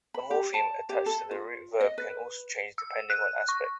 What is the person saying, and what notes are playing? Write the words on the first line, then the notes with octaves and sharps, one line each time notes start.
The morpheme attached to the root verb can also change depending on aspect.
B5
G4
A5
G4
A4
F4
D#5
B4
E6
F#6
C#6